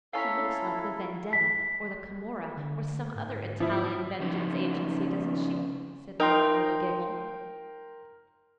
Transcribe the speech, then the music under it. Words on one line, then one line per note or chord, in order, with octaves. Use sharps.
"She looks like the 'Vendetta' or the 'Camorra' or some other Italian vengeance agency, doesn't she?" said Nora with a giggle.
C#3 C#4 E4 A4 F5 A#5 B6
B6
D3
G#2
F3 E4
C#3 F3 C#4 D#4 E4
D#4 A#4 G5 C6